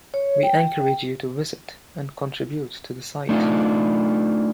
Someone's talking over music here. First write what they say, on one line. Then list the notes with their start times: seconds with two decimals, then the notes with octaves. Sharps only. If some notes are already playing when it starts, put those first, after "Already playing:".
We encourage you to visit and contribute to the site.
0.14 C#5
0.43 G5
3.29 A3 D4 D#4 F4